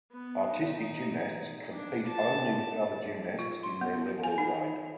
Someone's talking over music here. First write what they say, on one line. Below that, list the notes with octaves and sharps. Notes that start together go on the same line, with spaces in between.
Artistic gymnasts compete only with other gymnasts in their level or grade.
B3
D#4
D4
A5
F4
C6
B3
G#5
D#4